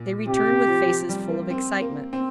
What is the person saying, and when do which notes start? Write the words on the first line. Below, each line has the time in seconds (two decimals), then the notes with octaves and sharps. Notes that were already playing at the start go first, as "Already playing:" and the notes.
They returned with faces full of excitement.
Already playing: A#2
0.27 C3 G4
0.47 C3
0.68 F3
0.89 F3
1.09 G3
1.29 A#3
1.50 C4
1.81 A#3
2.13 C4